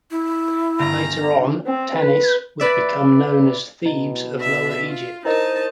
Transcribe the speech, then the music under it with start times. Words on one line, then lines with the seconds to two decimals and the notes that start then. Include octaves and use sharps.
Later on, Tanis would become known as Thebes of Lower Egypt.
0.11 E4
0.79 G1 A#5
1.66 C4
1.95 B4
2.60 B4 D5 E5
3.85 B2 E4 D#5
4.39 D4 E5
4.87 F4
5.25 D#4 E4 A#4 C5 D#5 A5